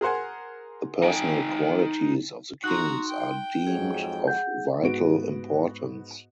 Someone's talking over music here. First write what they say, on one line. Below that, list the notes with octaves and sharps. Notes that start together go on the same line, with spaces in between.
The personal qualities of the kings are deemed of vital importance.
G#4 A#4 C5 F#5 G#5
D#4 G5 G#5
D#4 F#4 A#5 C6 F#6
G5
F2 G#2 F#3 G#4
F#5 G6
G#2 B3 F#4 D7